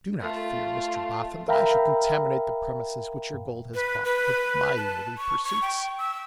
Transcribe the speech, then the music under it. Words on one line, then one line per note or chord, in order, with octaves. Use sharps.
Do not fear, Mr Boffin, that I shall contaminate the premises which your gold has bought, with MY lowly pursuits.
A3 F4
A#4 E5 F5 G5 A#5 B5
B4
B4
A5
C#6
C#6
G5
E6